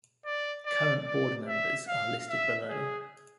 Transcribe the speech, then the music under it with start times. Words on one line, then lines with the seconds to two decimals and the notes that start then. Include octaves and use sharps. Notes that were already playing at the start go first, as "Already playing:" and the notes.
Current Board members are listed below.
0.26 D5
0.66 D5
1.07 D5
1.48 E5
1.88 F5
2.29 E5
2.69 G#4